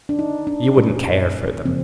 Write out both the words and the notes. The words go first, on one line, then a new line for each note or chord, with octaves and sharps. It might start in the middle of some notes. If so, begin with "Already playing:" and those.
You would n't care for them.
D4
D#4
D4
A#2 G3 A#3 C#4
C#3 F3 A#3 C4